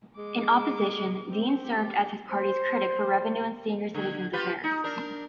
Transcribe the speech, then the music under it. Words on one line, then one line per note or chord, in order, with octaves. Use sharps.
In opposition, Dean served as his party's critic for Revenue and Senior Citizen's Affairs.
G#3 D6
C4
G4
C5
D3
F4 G4 B4
D#4
D4 A#4